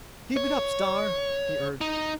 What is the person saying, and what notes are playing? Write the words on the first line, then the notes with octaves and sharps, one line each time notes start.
"Keep it up, Star!" he urged.
C#5
D#4